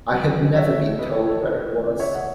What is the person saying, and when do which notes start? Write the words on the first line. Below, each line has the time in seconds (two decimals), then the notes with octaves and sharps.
I had never been told where it was.
0.12 F#3 B4 D#5
0.26 C#3
0.41 F#3
0.55 C#3 C#5 E5
0.70 A3
0.84 C#3
0.98 A3 B4 D#5
1.13 D#3 A4 C#5
1.27 A3 A4 C#5
1.42 D#3 B4 D#5
1.56 D#3
1.71 A3
1.85 C#3
1.99 C#3 C#5 E5
2.14 C#3 D#5 F#5